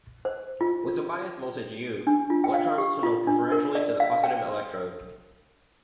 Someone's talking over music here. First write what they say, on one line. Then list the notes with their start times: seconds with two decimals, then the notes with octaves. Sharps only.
With a bias voltage "U", electrons tunnel preferentially to the positive electrode.
0.25 C5
0.61 F4
2.07 D4
2.30 F4
2.44 G5
2.54 F5
2.78 G4
3.03 F4
3.27 D4
3.52 A#4
3.75 D5
4.00 F5
4.23 G5